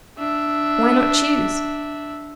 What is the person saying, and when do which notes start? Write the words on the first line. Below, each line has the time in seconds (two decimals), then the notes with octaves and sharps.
Why not choose?
0.18 D4 E5